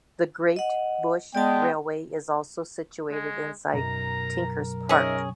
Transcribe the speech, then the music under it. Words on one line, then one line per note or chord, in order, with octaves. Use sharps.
The Great Bush Railway is also situated inside Tinkers Park.
D#5 F#5
G#3 B3 D5 G5 A5
G#3
B1 F#2 A#4 A#5
C#4 D#4 G#4 A#4 C#5 E5